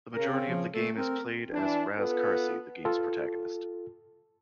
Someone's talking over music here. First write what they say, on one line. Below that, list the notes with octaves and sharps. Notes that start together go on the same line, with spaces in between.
The majority of the game is played as Raz Karcy, the games protagonist.
C#3 A#4
C4
F3
A3 A4
C4 A#4
E3 D4
B3 F4 A4 B4
F4 A4